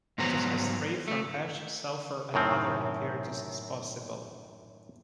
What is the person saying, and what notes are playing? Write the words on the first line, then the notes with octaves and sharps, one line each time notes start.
It is as free from ash, sulfur, and other impurities as possible.
G#2 F#3 B3 C5 A#5
A3
F#2 A2 D#3 C4